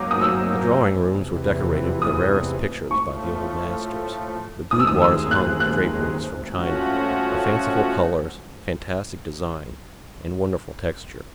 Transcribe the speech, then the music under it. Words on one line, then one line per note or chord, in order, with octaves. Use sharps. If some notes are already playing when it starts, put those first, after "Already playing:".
The drawing-rooms were decorated with the rarest pictures by the old masters, the boudoirs hung with draperies from China, of fanciful colors, fantastic design, and wonderful texture.
Already playing: F#3 A#3 D#4 D6
D#6
E6
E2 C3 E3
D#6
A2 F3 A3 C#6
D#2 D#3 G#3 D#6
E6
D#6
E6
F#6
F#6
F3 A3 C#4 F#4